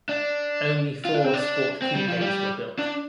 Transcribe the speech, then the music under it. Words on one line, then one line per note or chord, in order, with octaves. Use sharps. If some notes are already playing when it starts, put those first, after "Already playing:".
Only four Sport Coupes were built.
D4
F4
D4
C4
D4
C4
G3
F3
G3
D4